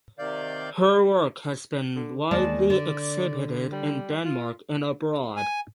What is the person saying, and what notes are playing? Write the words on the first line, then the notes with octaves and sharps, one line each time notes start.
Her work has been widely exhibited in Denmark and abroad.
C3 D#3 D5 F5 G6
D3
D#2 G#3 D5 A5
D3 D5
G3
F4
G#5